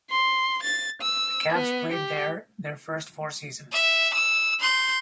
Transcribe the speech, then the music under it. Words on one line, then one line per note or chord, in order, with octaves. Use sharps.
The Cavs played there their first four seasons.
C6
A6
E6
B3
G4
E5
E6
C6 G6